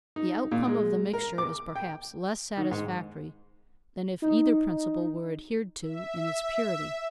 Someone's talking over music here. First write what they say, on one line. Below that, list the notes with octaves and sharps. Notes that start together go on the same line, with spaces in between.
The outcome of the mixture is perhaps less satisfactory than if either principle were adhered to in its purity.
D#4
A#2
G#3
A#4
D6
G5
D#3
G#2
D#4
E5